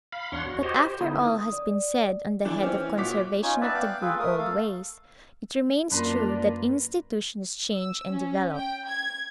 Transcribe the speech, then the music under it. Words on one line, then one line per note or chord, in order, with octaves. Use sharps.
But after all has been said on the head of conservation of the good old ways, it remains true that institutions change and develop.
F5 B5
E2 D4 C#5 F#5 C6
F#4
F#4 G4 C5 C#5 D#5
G4 C5
D3 B3 D#4 E4
D#6
D5
E3 D4
E3 C4 C#4
A#2 F#4 C#5 D6 B6
C#4 D#4 F4 C#5
B3 B4 D5 E5 A5
F5 G5 F#6
F4 G#4 A4 B4
A3 A#4 D#6
A4 F5
F#2 A#3 D4 F4 B4 A#5 C6
E6
C#4
G5
G#6